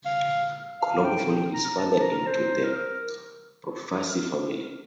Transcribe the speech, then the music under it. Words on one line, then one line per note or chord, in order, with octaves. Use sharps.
Colombo followed his father into the Profaci family.
F5
F5
G5
A#5
A5
A#5
C5
A#4